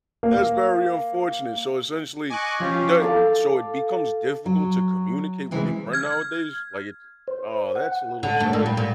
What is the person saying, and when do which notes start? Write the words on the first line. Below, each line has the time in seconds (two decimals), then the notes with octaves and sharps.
that's very unfortunate. So, essentially the so it becomes difficult to communicate with your friend, nowadays? Like it's aw, that's a little sad, then.
0.23 A#3
2.30 D#5 G#5 C#6 D6 F#6
2.60 F3 C#4 F4 G4
3.02 A4 F5 D6
4.46 F#3
5.51 C3 E3 G#3
5.93 F6 G#6
7.28 C5
7.75 F#5
8.23 D3
8.40 A3
8.53 A#2
8.66 G3
8.77 A#2